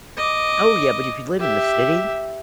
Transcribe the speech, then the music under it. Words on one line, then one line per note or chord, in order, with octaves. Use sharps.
Oh, yeah, but if you live in the city,
D#5 D6
G4 E5